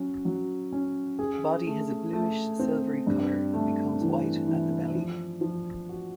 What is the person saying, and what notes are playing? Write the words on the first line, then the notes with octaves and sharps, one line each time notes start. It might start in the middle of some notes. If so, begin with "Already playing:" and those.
The body has a bluish silvery colour and becomes white at the belly.
Already playing: F#3 C#4
F#3
C#4
G#4
A3
A3
C4
G2
A3
E3
E3
F3
F3
F#4